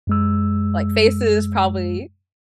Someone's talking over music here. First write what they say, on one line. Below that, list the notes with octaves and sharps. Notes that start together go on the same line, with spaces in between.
like faces probably
F#2 G#3 E6